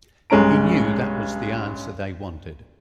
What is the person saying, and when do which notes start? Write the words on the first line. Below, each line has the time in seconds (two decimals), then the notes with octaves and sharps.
He knew that was the answer they wanted.
0.30 B1 G2 G#3 C#4 A#5 D7